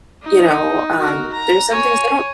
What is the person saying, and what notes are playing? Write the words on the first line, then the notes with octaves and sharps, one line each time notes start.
You know, um, there's some things they don't
D#4
F#4 A#4
A#5
C#5 G#5